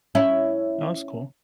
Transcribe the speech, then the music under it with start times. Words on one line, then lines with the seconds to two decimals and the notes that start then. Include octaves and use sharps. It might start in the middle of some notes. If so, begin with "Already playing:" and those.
Oh, that's cool.
0.15 C#4 E4